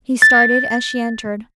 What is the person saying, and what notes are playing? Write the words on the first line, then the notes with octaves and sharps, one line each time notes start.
He started as she entered.
A6